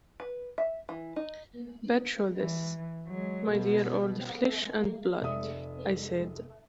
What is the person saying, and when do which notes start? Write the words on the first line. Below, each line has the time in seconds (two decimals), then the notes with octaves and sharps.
"Bad show this, my dear old flesh and blood," I said.
0.20 B4
0.58 E5
0.89 E3
1.16 D#4
2.36 E3
3.07 F#3 G#3
3.51 B2
5.21 F1 D5 E5 D#6